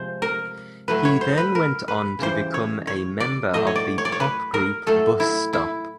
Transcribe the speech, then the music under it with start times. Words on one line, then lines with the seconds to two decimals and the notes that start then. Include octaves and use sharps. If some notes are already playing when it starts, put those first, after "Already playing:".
He then went on to become a member of the pop group Bus Stop.
Already playing: C3 F3 G#3 C5
0.22 A#4
0.88 A2 F#3 A3 B4
1.05 C#5
1.21 C5
1.38 B4
1.55 A#4
1.88 B4
2.19 C#3 E3 G3 C5
2.54 C#5
2.87 C#5
3.20 D5
3.53 A2 F#3 A3 D#5
3.67 C#5
3.76 D5
3.98 C#5
4.05 D5
4.12 C#5
4.20 B4
4.54 A#4
4.86 A2 F#3 A3 A4
5.20 E4
5.53 E4